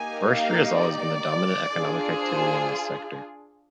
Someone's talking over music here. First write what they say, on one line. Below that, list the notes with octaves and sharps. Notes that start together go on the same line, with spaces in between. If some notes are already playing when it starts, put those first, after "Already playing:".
Forestry has always been the dominant economic activity in this sector.
Already playing: A#3 D#4 G4 G#5
F5
D5
D4 F4 G#4
C5